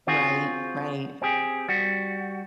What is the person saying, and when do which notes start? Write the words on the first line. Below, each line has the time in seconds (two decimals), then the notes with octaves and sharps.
Right. Right.
0.07 C4 F4 F#4 G#4
1.22 C4 G4 G#4
1.69 G3 F#4